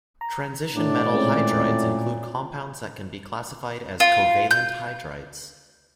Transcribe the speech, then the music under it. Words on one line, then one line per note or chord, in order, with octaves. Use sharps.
Transition metal hydrides include compounds that can be classified as "covalent hydrides".
A#5
A2 D4 D5
A#2 G#3 C4 C#4
F4
G6